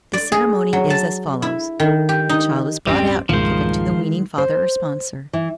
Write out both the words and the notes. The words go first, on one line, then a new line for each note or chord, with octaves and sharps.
The ceremony is as follows:--The child is brought out and given to the weaning father or sponsor.
D5
G#4
F#3
A5
E4
D#3
G4
D#4
D1 G2 G3 C4 C#4
C2 G2 A#2 D#3 F3 G#3 C5
C5
E3